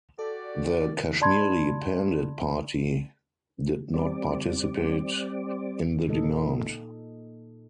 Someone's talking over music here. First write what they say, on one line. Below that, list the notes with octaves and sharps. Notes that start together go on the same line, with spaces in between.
The Kashmiri Pandit party did not participate in the demand.
F#4 G4 A4 D5
D5 A5 B5 C6 G#6
G3 C4 D5
A#2 D#4 A4 D#5